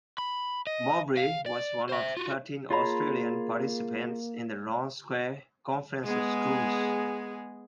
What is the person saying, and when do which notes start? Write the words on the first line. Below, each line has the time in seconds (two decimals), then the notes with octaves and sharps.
Mowbray was one of thirteen Australian participants in the Round Square Conference of Schools.
0.18 B5
0.67 D#5
1.17 F5
1.46 D5
1.89 C5 E5
2.17 F4 F#4
2.71 A#3 F4 G#4 C#5 F5 A#5 B5
6.04 G#3 B3 G#4